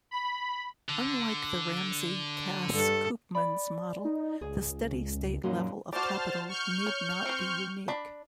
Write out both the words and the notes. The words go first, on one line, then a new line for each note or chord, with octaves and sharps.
Unlike the Ramsey-Cass-Koopmans model the steady state level of capital need not be unique.
B5
D3
G2 A4
D5 B5
D#4
C#2 G#4
F#2 A#2 F#3 D#4
F#4 C5 D5 A5 F6
C#6 F6 G6
C#5
C4 C5
D4 B5